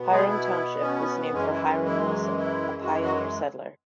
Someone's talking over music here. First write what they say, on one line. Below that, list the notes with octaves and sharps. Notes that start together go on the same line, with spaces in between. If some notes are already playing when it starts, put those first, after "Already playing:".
Hiram Township was named for Hiram Wilson, a pioneer settler.
Already playing: B2 B3
G#3 G#4
E4
C#4
F#2 E3 G#3 C#4
E4
C#4
E4
E4
F#4
E4
F#3 F#4